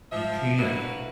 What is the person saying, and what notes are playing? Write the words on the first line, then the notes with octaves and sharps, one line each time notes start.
you can't
F3 E5
D3 A#3 E4 F#4 B4